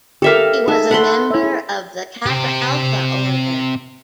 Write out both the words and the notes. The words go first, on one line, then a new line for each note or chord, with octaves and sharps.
He was a member of the Kappa Alpha Order.
G4 A4 A#4 E5 F5
D#4 G#4 A4 E5
A4 F#5 B5 C6
E4 E5
G#4
C4 G4